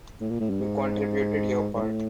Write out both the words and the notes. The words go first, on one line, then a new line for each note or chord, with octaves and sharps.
You contributed your part.
A2
A#2
A2
G2
G#2
G#2
A2